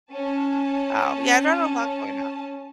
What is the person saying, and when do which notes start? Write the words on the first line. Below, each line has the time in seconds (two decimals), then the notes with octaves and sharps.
um, yeah, I've got a lot going on.
0.11 C#4 A5